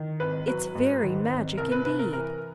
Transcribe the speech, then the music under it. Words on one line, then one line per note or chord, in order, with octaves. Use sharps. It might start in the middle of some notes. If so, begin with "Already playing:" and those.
It's very magic indeed.
Already playing: D#3
G#1 B4
F#3 B4
G#2
D#3
G#1
C2 A#4
B4
C3 B4
A#4
E3 A#4